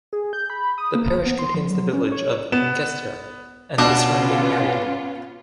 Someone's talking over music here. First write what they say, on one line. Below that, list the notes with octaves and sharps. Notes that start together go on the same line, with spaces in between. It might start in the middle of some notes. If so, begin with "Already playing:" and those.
The parish contains the village of Ingestre and the surrounding area.
G#4
G6
B5
D#6
A#3
B3
C6
F3
F#3
C#4
C#5
B3 E7
B2 B3 C#4 D4 F4